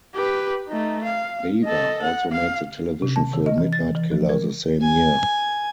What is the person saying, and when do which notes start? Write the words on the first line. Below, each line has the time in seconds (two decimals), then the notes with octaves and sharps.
Bava also made the television film "Midnight Killer" the same year.
0.14 G4 B4
0.68 A3 D#4
1.04 F5
1.64 A4 D#5
2.03 F#5
2.32 F5
3.02 C3
3.16 A5
3.33 D#3
3.46 D#5
3.58 E3
3.73 A6
3.95 E3
4.11 F3
4.29 A#4
4.82 G#5